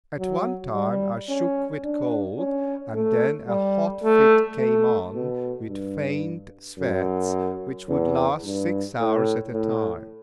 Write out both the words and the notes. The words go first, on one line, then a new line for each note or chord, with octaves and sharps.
At one time I shook with cold, and then a hot fit came on, with faint sweats, which would last six hours at a time.
F#3
G3
C#4
D4
C#4
A3
G3
A3
A3
B2
G2
F#2
E2
G2
A2
A2